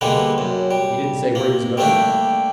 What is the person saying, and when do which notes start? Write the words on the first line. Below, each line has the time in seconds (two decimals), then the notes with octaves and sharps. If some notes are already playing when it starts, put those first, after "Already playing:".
"He didn't say where he was going?"
0.01 D3 G3 G#3 A#3 B3
0.38 F#2
0.71 G3
1.35 A#3
1.77 G3 A3 A#3 D4 G4